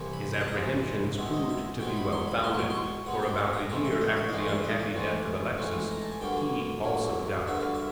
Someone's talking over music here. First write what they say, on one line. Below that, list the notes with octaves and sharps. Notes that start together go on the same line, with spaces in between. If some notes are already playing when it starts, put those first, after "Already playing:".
His apprehensions proved to be well founded, for about a year after the unhappy death of Alexis he also died.
Already playing: C2 C3 E3
B5
A#5
A5
A#5
C2 C3 E3
B2 G#3 C4 E5
D#5
E5
B2 G#3 C4 G5
B5
C6
B5
B2 G#3 C4 C6
C#6
C6
C6
C#6
B2 G#3 C4 F#5
G5
G#5
A#5
G#2 E3 A3 C4 A#5
E5
D#5
C#5
D#5
G#2 E3 A3 C4 D5
E5
D#5
D5
G#2 E3 A3 C4
G#2 E3 A3 C4
A#5
A5
G#5
G2 D3 F#3 A#3 G5
G2 D3 F#3 A#3
G2 D3 F#3 A#3 E5
F5
E5